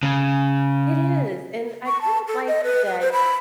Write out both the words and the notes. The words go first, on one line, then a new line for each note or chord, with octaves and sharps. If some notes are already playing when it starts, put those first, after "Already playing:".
It is. And, I kind of like that,
C#3
C#6
A5
A4
D#5
B4
B4
C5
B5